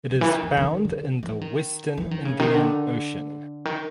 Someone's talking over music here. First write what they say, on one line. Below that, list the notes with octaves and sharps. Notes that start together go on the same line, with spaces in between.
It is found in the western Indian Ocean.
C#3
E3
D#3
E3
D#3
D3
E3
D#3
E3
D#3
C#3
D#3
D3
D#3